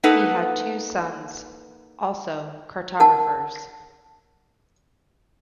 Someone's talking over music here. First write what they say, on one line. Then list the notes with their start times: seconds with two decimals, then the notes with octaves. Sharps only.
He had two sons, also cartographers.
0.03 A#3 D#4 A4 B4 F#5
3.00 A#4 F#5 A5